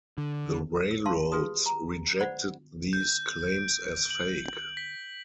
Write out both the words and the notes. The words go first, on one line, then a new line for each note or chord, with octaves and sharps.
The railroads rejected these claims as fake.
D3
E6
F5 A5 C6
F4 G4 G#4 B4 C6 D#6
A#5
C5 D5 F#5 B5
G6
D7
F#7
B6